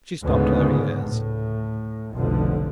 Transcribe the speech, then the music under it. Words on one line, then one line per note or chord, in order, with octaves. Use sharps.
She stopped her ears.
D2 G#2 C#3 B3
A2
F1 B1 D3 F3